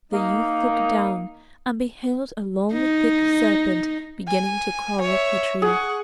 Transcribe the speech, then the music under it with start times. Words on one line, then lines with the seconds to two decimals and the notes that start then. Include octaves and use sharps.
The youth looked down and beheld a long thick serpent beginning to crawl up the tree.
0.12 A#3 D#4
2.74 D#4
4.28 G#5
5.01 C#5 E5
5.62 G#4 F#5 C#6